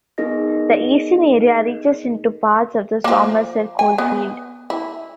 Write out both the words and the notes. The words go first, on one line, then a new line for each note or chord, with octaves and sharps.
The eastern area reaches into parts of the Somerset Coalfield.
B3 D#4 G#4 A#4 D#5 A#6
F3 A#3
G#5
B3
E4